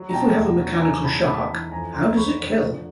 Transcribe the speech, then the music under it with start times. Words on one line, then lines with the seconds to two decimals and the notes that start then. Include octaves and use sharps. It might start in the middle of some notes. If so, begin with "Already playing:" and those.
If we have a mechanical shark, how does it kill?
Already playing: F#3
0.10 A#5
0.14 B2 G5 A5
0.36 E2
0.59 F#3
0.81 E3 G#5 A#5
1.04 G#2 A5 B5
1.26 G#2 A5 B5
1.48 E3
1.71 F2 G#5 A#5
1.93 F2 A#5 C6
2.16 F2 B5 C#6
2.39 D3
2.61 F3